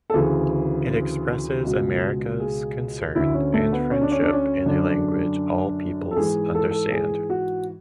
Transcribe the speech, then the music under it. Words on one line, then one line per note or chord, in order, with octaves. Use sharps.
It expresses America's concern and friendship in a language all peoples understand.
A4
D2 C#3 E3 G#4
C#2 B2
G#4
D2 D3 E4
C#4
A3
B3
C#4
D4
C#4
D4
C#4
F#2 D3 D4
A4
G#2 E3 G#4
A4
A4
G#4
F#4